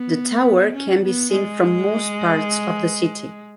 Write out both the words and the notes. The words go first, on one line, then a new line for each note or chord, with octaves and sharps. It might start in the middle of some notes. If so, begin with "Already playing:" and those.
The tower can be seen from most parts of the city.
Already playing: B3
C#4
B3
G#3